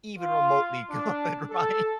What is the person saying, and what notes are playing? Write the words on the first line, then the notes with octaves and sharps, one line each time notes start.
even remotely good, right?
F4
D4
A4